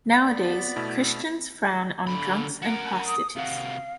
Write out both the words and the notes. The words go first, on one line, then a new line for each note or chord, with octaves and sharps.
Nowadays Christians frown on drunks and prostitutes.
B3 D5
B2 A3 E4
D3 B5
F#4 A#4
D#6
C3 F#4 F5